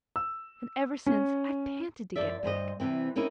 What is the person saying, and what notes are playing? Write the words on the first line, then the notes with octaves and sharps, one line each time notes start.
And ever since, I've panted to get back.
E6
C#4
F#2 F3 D5 E5
D2 G2 C5 D#5
C3 D#3 E3 C4
A#3 C4 C#4 D#4 E4